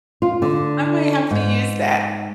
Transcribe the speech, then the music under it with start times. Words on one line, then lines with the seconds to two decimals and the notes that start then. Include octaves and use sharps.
I might have to use that.
0.22 F4
0.42 D3
1.31 G#2